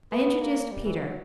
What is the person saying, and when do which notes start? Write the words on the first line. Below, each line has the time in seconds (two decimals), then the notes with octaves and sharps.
I introduced Peter.
0.12 B3
0.42 A#3
0.72 G3
0.85 E3
0.95 F#3